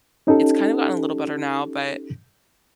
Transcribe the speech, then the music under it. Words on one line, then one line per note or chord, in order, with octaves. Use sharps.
it's kinda gotten a little better now, but
C#4 D#4 G4 A4